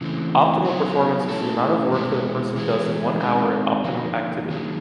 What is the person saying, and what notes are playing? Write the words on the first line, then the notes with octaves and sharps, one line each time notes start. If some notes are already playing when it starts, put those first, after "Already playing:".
Optimal performance is the amount of work that a person does in one hour at optimum activity.
C#3 E3 A3 C4
F#3 B3 D#4
A3 C#4 E4 A4
B2 G#3 B3 E4
E3 G#3 B3 D#4 G#4
G#3 C4 D#4
D3 F3 A#3 D#4
D#3 F#3 A#3 D#4 G#4